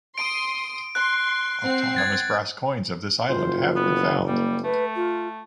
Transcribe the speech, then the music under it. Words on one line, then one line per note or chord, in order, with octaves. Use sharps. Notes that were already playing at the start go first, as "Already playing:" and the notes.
Autonomous brass coins of this island have been found.
C6 D#6 D7
C6 F#6
C4 F#5 C7
G#6 A6
F#1 F4 C5
B3
G3 A#3
A3 B4
F4